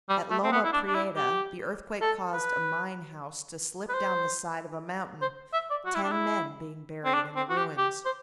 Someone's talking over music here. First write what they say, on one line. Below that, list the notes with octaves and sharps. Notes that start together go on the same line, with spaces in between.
At Loma Prieta the earthquake caused a mine house to slip down the side of a mountain, ten men being buried in the ruins.
G3
A3
C4
B3
E4
D4
D4
E4
G4
A4
B4
B4
C5
C5
E5
D5
F#4
E4
D4
E4
C4
D4
C4
F#4
G4
G4
C5